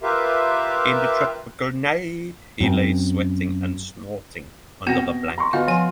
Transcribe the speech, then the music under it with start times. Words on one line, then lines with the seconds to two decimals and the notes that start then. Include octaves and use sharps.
In the tropical night he lay sweating and snorting under a blanket.
0.03 F4 G4 A#4 B4 E5 F5
2.60 F#2 C4
4.87 B2 B3 C4 F#5 A#6
5.38 A#5 C6 C#6
5.53 D3 B3 F4 F#4 D#5 F5
5.68 F3 G#5